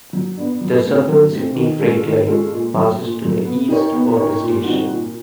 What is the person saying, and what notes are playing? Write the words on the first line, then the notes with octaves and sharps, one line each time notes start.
The Southern Sydney Freight Line passes to the east of the station.
F#3
B3 D4
F#3
A3 C4
F#3
A3 C4
D#3
G#3 C#4 F4 A4
D#3
G#3 C#4 F4 A4
A#2
F#3 A3
A#2
F#3 A3
B3
D#4 G4 A#4 C#5
B3
D#4 G4 A#4 C#5
A#2
G3 C4 D#4 F#4
A#2